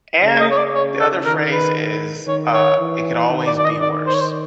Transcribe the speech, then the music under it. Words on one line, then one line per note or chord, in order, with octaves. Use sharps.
And the other phrase is, uh, "It can always be worse."
C#3
D#5
C#5
D5
C#5
A4
D#3 A#4
B4
D#3 C#5
C#5
E3
D#3
D5
D5
D#5
D#3 D5
C5
C#5
C5